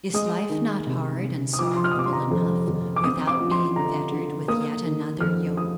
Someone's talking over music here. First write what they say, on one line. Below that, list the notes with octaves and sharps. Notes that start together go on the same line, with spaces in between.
Is life not hard and sorrowful enough without being fettered with yet another yoke?
G#3 D#6
D#3
C3
C3
D#6
F3 D6
C6
F6
D#6
C3 D6
C6
A#5
F2
F2
D6
C4 D#6
D6
F3
C6
D3 A#5
D3
A#3 D#6
D#3
F2 F6
D#6